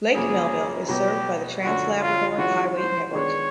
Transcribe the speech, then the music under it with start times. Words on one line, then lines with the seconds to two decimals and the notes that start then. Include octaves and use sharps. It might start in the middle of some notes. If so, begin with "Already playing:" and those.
Lake Melville is served by the Trans-Labrador Highway network.
0.14 F#2 C#3 F3 A#3 G#4
0.89 B2 F#3 B3 G4
1.63 F#2 D3 F3 F#4
2.01 F4
2.38 E3 G#3 C#4 F4 F#4
2.76 C5
3.13 D#3 G#3 B3 D4 C#5